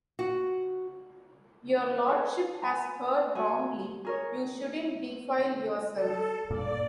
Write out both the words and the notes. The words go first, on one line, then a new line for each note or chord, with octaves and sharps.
Your Lordship has heard wrongly, you shouldn't defile yourself.
F#4
G#4 A4 B4 C#5
G#5 A#5
F#4 F#5 G#5
G#4 A#4 C#5
A4
G2 A#2 D5